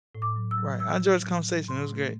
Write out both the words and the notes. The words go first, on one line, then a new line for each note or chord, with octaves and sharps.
Right. I enjoyed this conversation, it was great.
A2
D6
F#3
E6
F#3
A2 E6
F#3
A2
F#3
A2 C6
A3